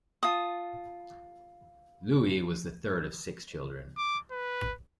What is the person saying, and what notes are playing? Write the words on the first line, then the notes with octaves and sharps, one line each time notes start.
Louis was the third of six children.
F4 A5 D#6
D6
B4